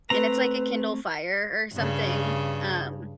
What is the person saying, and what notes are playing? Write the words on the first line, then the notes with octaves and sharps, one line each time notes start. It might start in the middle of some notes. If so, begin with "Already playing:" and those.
and it's like a Kindle Fire or something, um
A3 C4 B4 A#5
G2 C#3